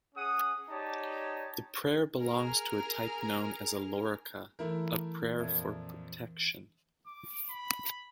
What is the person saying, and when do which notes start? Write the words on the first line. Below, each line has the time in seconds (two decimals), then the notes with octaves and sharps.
The prayer belongs to a type known as a "lorica", a prayer for protection.
0.15 C#4 G#4 F#5 D#6
0.70 D#4 G4 C#5 D5 A5
2.20 G#4 A#4 A#5 F6
4.59 E3 A3 E4 A#4
5.40 F2 A#2 E5 G#6
7.06 D6
7.50 B5